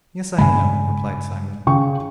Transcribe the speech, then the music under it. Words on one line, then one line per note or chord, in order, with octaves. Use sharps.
'Yes, I am,' replied Simon.
G2 C#3 G#3 G#5 B5
C#3 G5 C#6